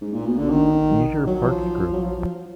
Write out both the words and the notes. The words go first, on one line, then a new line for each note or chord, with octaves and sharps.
Leisure Parks group.
G#2
A#2
B2
D3
D#3
F#3
F3
F#3
F3
F3